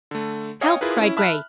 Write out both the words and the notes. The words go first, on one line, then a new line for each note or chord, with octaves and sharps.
"Help!" cried Grace.
D3 A3
C#5 D#5 F5 G5 G#5 D#6
E4 F4 G#4 A#4 B4
C#4 E4
E5 A5 B5 F6 F#6